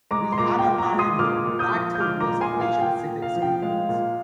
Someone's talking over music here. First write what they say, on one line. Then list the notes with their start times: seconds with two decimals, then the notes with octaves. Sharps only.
Rehana Maryam Noor bagged two awards at Asia Pacific Screen Awards.
0.11 G#3 A#5 D6
0.32 C6
0.38 A#2 A#5 D6
0.59 G5
0.65 A#2
0.78 A#5 D6
0.93 G#3
0.99 C6 D#6
1.19 A#2 D6 F6
1.46 A#2
1.59 D#6 G6
1.73 F3
1.95 G6
2.00 G#3 D6 F6
2.20 A#5 D6
2.28 A#2
2.41 G#5 C6
2.54 A#2
2.61 F5 G#5
2.81 A#2 G5
3.08 A#2
3.22 F5
3.36 F3
3.42 G5
3.62 G#3 F5
3.89 A#2